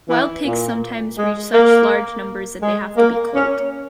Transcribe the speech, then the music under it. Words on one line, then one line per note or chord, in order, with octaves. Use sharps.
Wild pigs sometimes reach such large numbers that they have to be culled.
E3
A#2
G#3
A#3
G#3
A#3
C#4